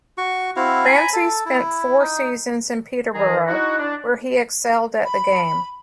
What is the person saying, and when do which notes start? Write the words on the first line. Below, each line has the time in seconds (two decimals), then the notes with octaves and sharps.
Ramsay spent four seasons in Peterborough where he excelled at the game.
0.18 F#4 C#6
0.56 C4 E4 F#4 F5
0.85 G#5 A#5 B5
1.13 A4
1.46 E4
1.99 D#4
3.15 D#3 E3 G#4 A#5
3.47 D#4 E4 F#4
3.78 D4
5.05 B5